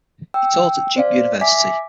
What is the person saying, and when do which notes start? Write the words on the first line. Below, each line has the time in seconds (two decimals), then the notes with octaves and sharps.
He taught at Duke University.
0.34 G5 E6
0.96 C5 D5 F5
1.41 E5 G#5 D6 B6